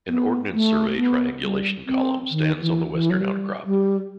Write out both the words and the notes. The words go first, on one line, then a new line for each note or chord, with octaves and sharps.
An Ordnance Survey triangulation column stands on the western outcrop.
B3
A3
B3
G3
C4
D#3
E3
E3
F#3
G3
G3